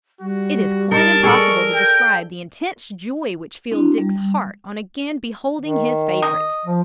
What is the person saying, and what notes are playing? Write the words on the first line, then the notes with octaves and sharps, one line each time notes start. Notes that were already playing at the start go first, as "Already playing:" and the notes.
It is quite impossible to describe the intense joy which filled Dick's heart on again beholding his favourite.
G3 F#4
D#4 A#4 A5
G#4 A4 D5 C#6
G5
C4 D4 E4 F#4
G3
D#3
D#5
F3